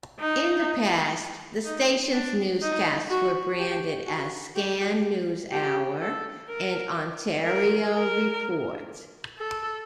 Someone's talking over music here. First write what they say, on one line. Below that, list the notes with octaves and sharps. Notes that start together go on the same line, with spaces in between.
In the past, the station's newscasts were branded as "Scan NewsHour" and "Ontario Report".
D#4
D#4
D4
D#4
F#4
G4
F#4
G4
G4
A4
A#4
A#4
A#4
A4